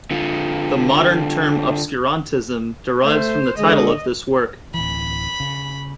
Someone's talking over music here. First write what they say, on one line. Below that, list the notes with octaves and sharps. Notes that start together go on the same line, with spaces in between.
The modern term obscurantism derives from the title of this work.
D3 F4
A3 C5
D3 G#3 D#5
D1 E3 B5
C#3